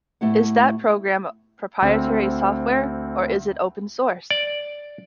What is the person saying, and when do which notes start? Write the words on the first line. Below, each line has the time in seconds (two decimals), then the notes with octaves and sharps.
Is that program proprietary software, or is it open source?
0.21 A2 A3 B3 E4 G4 F#5
1.82 D2 C4
4.31 D5